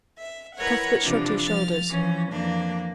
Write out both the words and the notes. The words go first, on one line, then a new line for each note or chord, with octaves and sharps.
Cuthbert shrugged his shoulders.
E5
E4 A#4 B4 C#5 F#5
C3 E3 F3 D4
F3 F6 A6
E3 F3 C#4
F2 E3 A#3 D4